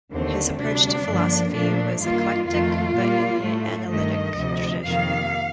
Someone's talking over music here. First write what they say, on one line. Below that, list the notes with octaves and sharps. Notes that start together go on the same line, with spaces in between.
His approach to philosophy was eclectic but in the analytic tradition.
D#2 D3 A3 C4
D2 C3 G3 D4
G2 D3 F3 A#3
A#2 F3 A3 D4
G2 D#3 A#3 F4
F2 D#3 A3 F4
A#2 G3 A#3
A2 A3
G2 D#3 A3 D#5
D2 C3 F3
F2 C3 D#3 A#3 F5